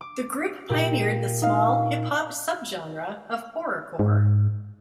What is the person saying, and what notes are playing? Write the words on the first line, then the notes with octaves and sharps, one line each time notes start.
The group pioneered the small hip-hop subgenre of horrorcore.
D6
A#2 G4
D#4 F5
G#2